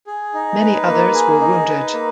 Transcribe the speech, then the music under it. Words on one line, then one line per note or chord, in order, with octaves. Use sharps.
Many others were wounded.
G#4
D#4
B4
A#3
G#4
D#4
B4
A#3